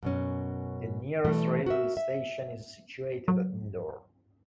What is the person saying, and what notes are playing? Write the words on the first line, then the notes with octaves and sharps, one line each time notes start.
The nearest railway station is situated at Indore.
F#2 B2 C#4
B2 E3 G3 A3
F#4 A#4 E5
E5
F#3